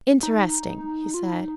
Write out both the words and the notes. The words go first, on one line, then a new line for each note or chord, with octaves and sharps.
"Interesting," he said.
D#4
F4
E4
D#4